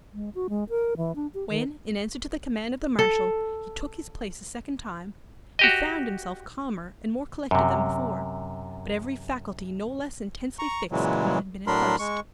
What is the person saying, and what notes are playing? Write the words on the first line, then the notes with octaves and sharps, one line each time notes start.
When, in answer to the command of the Marshal, he took his place a second time, he found himself calmer and more collected than before, but every faculty no less intensely fixed than it had been at first.
G#3
F#4
G#3
A#4
E3
D4
G4
D#3
A4
F#4 G4 D#5
F#2 C3
A#5 C#6
A#2 C#3 E3 F#3 G#3
A2 F#3 D4 A#4 B5 C6
G#3 C#6